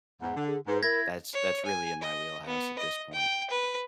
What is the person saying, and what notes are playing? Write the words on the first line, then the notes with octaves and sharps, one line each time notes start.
That's that's really in my wheelhouse at this point.
E2 G#2 F#5
D3
G#4
G#2 B4
E4 A#4 G#6 A#6
C#5
G#5
D#5
B3
D#5
G5
B4